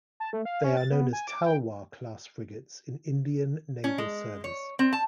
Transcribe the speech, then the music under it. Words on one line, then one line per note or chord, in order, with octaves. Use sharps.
They are known as "Talwar"-class frigates in Indian naval service.
A5
A3
F5
C#4
A6
B3
G#5
D6
G5
C#4
G#3
C#5
C4
A5